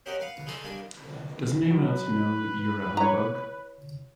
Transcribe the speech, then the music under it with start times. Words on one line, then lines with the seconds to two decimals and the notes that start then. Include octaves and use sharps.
Doesn't anyone else know you're a humbug?
0.06 C4 C#4 G4 A#4 D#5 F#5
0.20 B4 F5 F#5
0.46 D#4 G#4 A4 C6 D#6
0.64 D#3 G3 A#3 D4 G#5
1.70 F#3 B4
2.97 E4 C#5 A#5